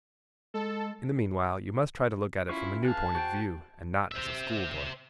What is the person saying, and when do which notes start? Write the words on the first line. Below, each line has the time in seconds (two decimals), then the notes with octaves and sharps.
In the meanwhile, you must try to look at it from a new point of view, and not as a schoolboy.'
0.54 G#3 A4
2.49 C#4 E4 F4 C#6
2.85 G#4 B4 F5 A5
3.15 F#4 C5 G5
4.12 C5 E5